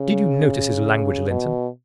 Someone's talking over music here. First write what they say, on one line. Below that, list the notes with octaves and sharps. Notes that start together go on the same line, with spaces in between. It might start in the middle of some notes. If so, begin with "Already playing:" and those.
Did you notice his language, Linton?
Already playing: C#3
B2